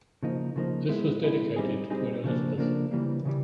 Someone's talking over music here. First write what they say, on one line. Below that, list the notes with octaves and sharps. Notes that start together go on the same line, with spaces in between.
This was dedicated to Queen Elizabeth.
C#3 F3 A#3 D#4
C#3 F3 A#3 D#4
G#3 B3 E4
G#3 B3 E4
G3 C4 D#4 G#4
G3 C4 D#4 G#4
C#3 F3 A#3 D4
C#3 F3 A#3 D4
C#3 E3 G3 A#3
C#3 E3 G3